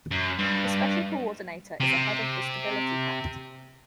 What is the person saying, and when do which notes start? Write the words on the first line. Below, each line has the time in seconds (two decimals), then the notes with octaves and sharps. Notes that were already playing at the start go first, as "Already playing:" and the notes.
The Special Coordinator is a head of the Stability Pact.
0.11 F#2
0.39 G2
1.80 C3